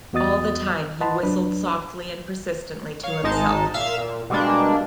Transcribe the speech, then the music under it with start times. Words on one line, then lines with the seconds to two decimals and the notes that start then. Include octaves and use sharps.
All the time he whistled softly and persistently to himself.
0.13 E2 B3 F#4 D#5 D#6 A6
1.01 B4 D#5 F#5 A5 B5 C6
1.23 C#2 F#3 D4 B4
3.03 C#5 F5
3.24 G#1 G#3 D#4 A5
3.74 A#2 E5 F5 E6
3.98 A#2
4.30 B2 G3 G#3 A#3 D4